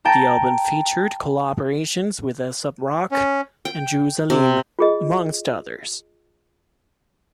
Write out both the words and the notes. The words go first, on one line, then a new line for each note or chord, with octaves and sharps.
The album featured collaborations with Aesop Rock and Juice Aleem, amongst others.
G5 A5 A#5
C#4
G5
C3
F4 G#4 D#5